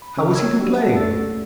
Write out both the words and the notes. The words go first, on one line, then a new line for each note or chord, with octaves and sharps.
How was he to blame?
B5
C2 C#3 C#4 D#5 B5 F6
A#4 C#5 E6 G#6
F#3 D4 F#4 G4
E5 F#5 A5
C2 A3 C#4 D5 E6 A6